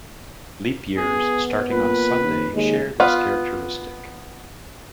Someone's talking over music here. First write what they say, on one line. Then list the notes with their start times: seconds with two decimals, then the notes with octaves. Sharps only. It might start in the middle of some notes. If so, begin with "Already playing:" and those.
Leap years starting on Sunday share this characteristic.
0.97 B3 G#4
1.72 A#2 B4
2.23 D#2
2.54 D#2 G#3
3.00 B3 F4 F5